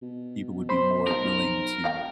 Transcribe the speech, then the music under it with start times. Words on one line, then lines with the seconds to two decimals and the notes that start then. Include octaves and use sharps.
people would be more willing to,
0.02 B2
0.69 C5 B5 C6
1.07 B1 F3 D#4 A#4
1.84 F1 F#3 F5 G5